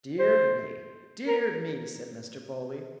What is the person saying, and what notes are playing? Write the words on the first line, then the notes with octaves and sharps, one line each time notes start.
"Dear me, dear me," said Mr. Bowley.
C5
A#4